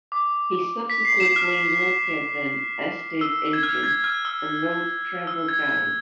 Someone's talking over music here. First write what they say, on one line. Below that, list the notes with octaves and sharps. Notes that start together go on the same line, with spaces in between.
He subsequently worked as an estate agent and wrote travel guides.
D6
B6
C7
C7 E7
F6
E6
G#6
F6
G#6
F6
E6
E6
G#6
G#6